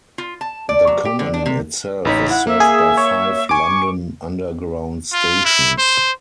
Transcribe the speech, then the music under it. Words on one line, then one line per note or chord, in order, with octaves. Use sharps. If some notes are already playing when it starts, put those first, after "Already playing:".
The common itself is served by five London Underground stations.
F4
A5
D5
F#3
G4
D3
D4
C3
A1 D#4 C#5 B5
E4 F#5
A#3 E5
G#4
C#5
G#5 C#6 D6 D7
F4
E4
C5